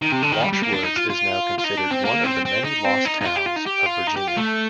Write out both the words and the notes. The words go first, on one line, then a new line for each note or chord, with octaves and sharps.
Wash Woods is now considered one of the many lost towns of Virginia.
D#3
C3
D3
D#3
G3
G3
A#3
D4
D#4
F4
F4
F4
D#4
D4
C4
A#3
C4
C4
D#4
C4
D#4
D#4
F4
G4
F4
D#4
G4
F4
D#4
G4
F4
A3